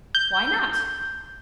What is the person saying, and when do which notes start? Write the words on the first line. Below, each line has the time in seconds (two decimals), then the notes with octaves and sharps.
"Why not?"
0.15 G6